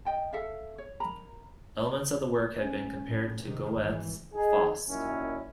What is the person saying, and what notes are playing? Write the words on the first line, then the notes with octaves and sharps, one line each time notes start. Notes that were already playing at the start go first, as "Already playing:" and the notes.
Elements of the work have been compared to Goethe's "Faust".
D#5 G5 A5
A4 E5 F5
C#5
A#4 A#5 B5
C#4
A2
C3 D#3
G#1 E3
D#4 G#4
F#2 A#2 D#3 C#4 E4